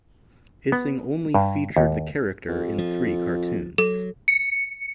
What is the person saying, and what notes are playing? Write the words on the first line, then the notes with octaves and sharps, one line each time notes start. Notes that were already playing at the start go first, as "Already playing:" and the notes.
Ising only featured the character in three cartoons.
B3
G2
D#2
F2
F3
F#3 A4
C#7